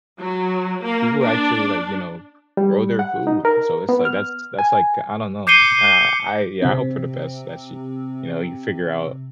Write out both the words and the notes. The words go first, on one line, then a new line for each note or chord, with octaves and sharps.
people actually, like, you know, grow their food, so it's, like, that's that's, like I don't know. I I yeah, hope for the best that she you know, you figure out
F#3
A#3
D4
G3
F#5
D#4
A#4
B3
F6
G#5
D6 G6 C7 C#7 D#7 G7
C3 C4